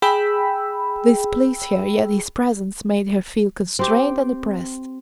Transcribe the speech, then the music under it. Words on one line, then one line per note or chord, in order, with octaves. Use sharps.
This pleased her, yet his presence made her feel constrained and oppressed.
G#4 G5 B5 E6
C4 G4